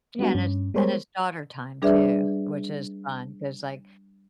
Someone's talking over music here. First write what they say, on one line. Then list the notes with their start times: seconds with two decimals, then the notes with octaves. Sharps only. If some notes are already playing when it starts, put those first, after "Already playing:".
Yeah, and it's and it's daughter time too, which is fun 'cause, like,
0.19 G3 G#3 B3 D4 F#4
0.34 G2 C#4
0.74 G3 G#3 B3 A#4 C5 C#5
1.82 G3 D4 G#4 B4 D5 E5